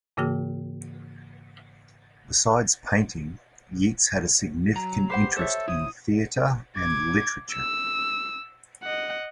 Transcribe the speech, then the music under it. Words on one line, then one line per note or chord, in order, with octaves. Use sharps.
Besides painting, Yeats had a significant interest in theatre and in literature.
G#2 C#3 E3 A#3 F#4 G#4
F#3 A#5
G4 B4 C5 F#5 C6
A4 C5 C#5 E5
E4 D#6
D6 G#6
E6
D#5 F#5